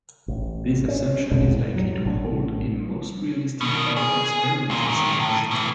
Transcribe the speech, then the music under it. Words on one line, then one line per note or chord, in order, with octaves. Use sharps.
This assumption is likely to hold in most realistic or experimental settings.
A1
C#4
A#1 F2 B2 G#3
A2
F#3 G3
A1 A2 B3 D4
B2 D#3
G#4
D#2 A#2
G#2 D#3
A2
B2 E3